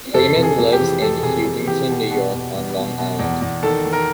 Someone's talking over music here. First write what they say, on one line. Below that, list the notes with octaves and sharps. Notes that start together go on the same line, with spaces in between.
Freeman lives in Huntington, New York on Long Island.
F2 A4
C3
G#4
F2
G4
E3
F2 A4
C3 G#4
F2
E3 G4
B2
B2
E2
E2
B2
B2
E2
E2
D#3 A4
D#3
A#4